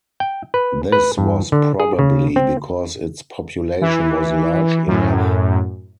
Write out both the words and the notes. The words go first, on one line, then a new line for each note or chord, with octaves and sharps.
This was probably because its population was large enough.
G5
B4
B4
G2
D3
G#4
C#3
C4
E3
F#2 A2